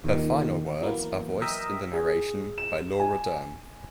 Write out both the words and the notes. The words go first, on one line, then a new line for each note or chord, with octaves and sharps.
Her final words are voiced in the narration by Laura Dern.
D#2 A#2 D#3
E3 F#3 A#3 B3
A#4 D#5 E5 G5
G#4
E7
G#5